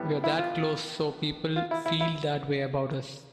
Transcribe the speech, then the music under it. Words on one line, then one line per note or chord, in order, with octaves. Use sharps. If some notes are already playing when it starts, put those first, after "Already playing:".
We're that close so people feel that way about us.
Already playing: A2 G3 B3
E4
F4
F4
E4
E4
E4